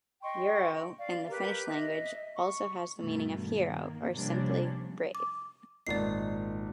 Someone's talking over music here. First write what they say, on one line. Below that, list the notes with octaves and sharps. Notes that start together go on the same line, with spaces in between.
"Urho" in the Finnish language also has the meaning of "hero" or simply "brave".
D#5 G5 C6 C#6
D5 F5
G4 A#4 B4
D#5 E5
C#6
G2 B2 D#3 A3
D#3 A#3
C3 F3 G3 A#3 C#4 D4
D6
G#1 A#2 D#4 D5 C7